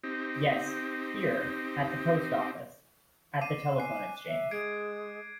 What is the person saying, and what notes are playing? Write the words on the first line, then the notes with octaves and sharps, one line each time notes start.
Yes, here; at the post office — at the telephone exchange.
C4 D#4 G4
D6 C7 D#7
G#5 F#6 C7
E5
G#3 G#6 C7 D7